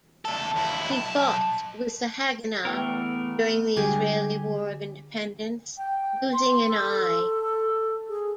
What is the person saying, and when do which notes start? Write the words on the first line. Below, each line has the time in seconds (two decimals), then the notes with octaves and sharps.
He fought with the Haganah during the Israeli War of Independence, losing an eye.
0.25 E2 A4
0.56 D#2 E4
0.89 B1 A5
2.65 E2 A3 B3 A#4 B4 G5
3.77 D3 G3 D4 G4 G#4
5.78 G5
6.34 C6
6.68 A4
8.09 G#4